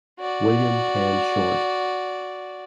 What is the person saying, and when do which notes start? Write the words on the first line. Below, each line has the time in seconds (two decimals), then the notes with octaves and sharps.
William Penn Short.
0.19 F#4 D5